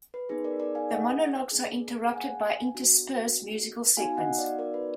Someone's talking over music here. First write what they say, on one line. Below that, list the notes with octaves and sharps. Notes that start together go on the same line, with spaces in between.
The monologues are interrupted by interspersed musical segments.
B4
B3 D#4 G#4 B4
A#4 D5
A#4 D5
F5 G#5
D#5 F#5
A#3 D4 G#4
F#5
F5 G#5
B3 D4 F#4
B3 D#4 F#4 F5 G#5
D#5 F#5
D5 F5
A#4 D5
B4